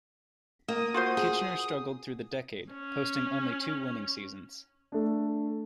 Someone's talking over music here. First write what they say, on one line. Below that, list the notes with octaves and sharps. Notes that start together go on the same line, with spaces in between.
Kitchener struggled through the decade, posting only two winning seasons.
A#3 D#6
F4 F#4 C5
G#4
C#4
A3 D4